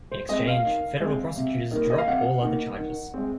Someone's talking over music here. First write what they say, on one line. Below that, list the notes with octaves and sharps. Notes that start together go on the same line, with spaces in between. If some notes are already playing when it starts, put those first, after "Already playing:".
In exchange, federal prosecutors dropped all other charges.
C5
G#3 C4 D#5
F5
D#3
G#3 C4
C3
D#3 A#3
D#5
F5
C3 F#5
D#3 A#3
D#3
G#3 C4